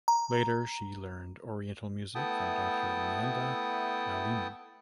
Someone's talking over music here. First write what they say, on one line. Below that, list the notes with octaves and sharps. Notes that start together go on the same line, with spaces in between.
Later she learned oriental music from Doctor Nanda Malini.
A#5
A3 B3 E4 G5 A5 D#6